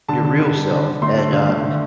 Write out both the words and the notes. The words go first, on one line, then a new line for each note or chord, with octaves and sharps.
your real self and, um,
D3 A5
D3
D3
G3
D3
D3
A3 C6
A3
D3
A3
D3